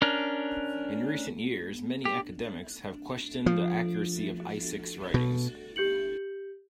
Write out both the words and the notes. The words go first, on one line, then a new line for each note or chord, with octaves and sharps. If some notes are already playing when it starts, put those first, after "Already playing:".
In recent years many academics have questioned the accuracy of Isaac's writings.
C#4 D4 A#4
G4
F3
B2
G4 G6 C#7 F#7